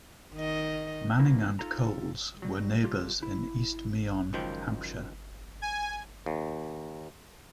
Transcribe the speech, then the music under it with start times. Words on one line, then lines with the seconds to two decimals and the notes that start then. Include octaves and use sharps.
Manning and Coles were neighbors in East Meon, Hampshire.
0.35 D#3 D#5
1.20 B2 D#3 E3 A3 A#3
1.59 D#4 F4 A4 A#5
2.42 F#3 G3
2.83 G3 A3 A#3 F4 G4
3.23 E4
4.33 C#2 F#2 D#3 F3 C5 G5
5.62 G#5
6.26 D#2